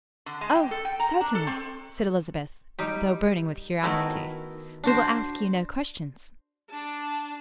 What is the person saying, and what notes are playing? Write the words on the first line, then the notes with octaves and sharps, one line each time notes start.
"Oh! certainly," said Elizabeth, though burning with curiosity; "we will ask you no questions."
D3
G#3
G5
A4
G5
A#5
D4
A4
C4
G3 D#4 G4
D#3 A3 B3 E4 F#4 A#4
D4 F#4 C5
D4 A5